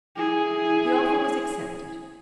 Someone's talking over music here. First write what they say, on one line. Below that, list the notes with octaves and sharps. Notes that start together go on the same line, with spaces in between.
The offer was accepted.
E4 G#4